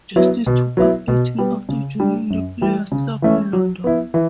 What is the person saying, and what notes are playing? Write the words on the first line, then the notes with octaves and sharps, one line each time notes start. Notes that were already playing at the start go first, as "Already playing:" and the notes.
Justice took up acting after joining the Players' Club in London.
F#3 B3 E4
B2
F#3 B3 E4
B2
G3 B3
C#3
G3 D4
F#2
E3 G3
C#3
E3 A3 C#4
F#3
B3 E4
E3